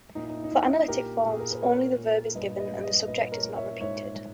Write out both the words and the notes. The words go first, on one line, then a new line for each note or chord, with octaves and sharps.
For analytic forms, only the verb is given and the subject is not repeated.
A#2 D#4
E4
D#4
E4
D#4
A#2 E4
D#4
E4
D#4
A#2 G4 A#4
G4
A#2 G#4
A#4
B4
A#2 A#4 C#5
A#2
G2 B4 D#5
B4 D#5
G2
B4 D#5
A#2 B4 D#5
A#4 C#5
A#2
C#5 E5
G#2 C#5 E5